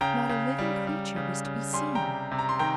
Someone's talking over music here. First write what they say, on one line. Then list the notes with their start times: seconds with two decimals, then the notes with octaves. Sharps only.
Not a living creature was to be seen.
0.01 C#3 G5 A#5
0.29 C#3
0.59 G3
0.87 G3
1.16 C#3
1.45 C#3
1.73 G3 G#5 C6
1.95 G5 A#5
2.02 C3
2.31 C3
2.39 A#5
2.49 C6
2.59 D#3 G5 A#5